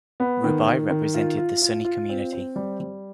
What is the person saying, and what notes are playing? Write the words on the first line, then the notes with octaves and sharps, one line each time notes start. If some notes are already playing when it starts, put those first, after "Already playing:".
Rubai represented the Sunni community.
B3
D#3
D#3
D#3
F4
F4
F4
F4
C4
C4
G3
G3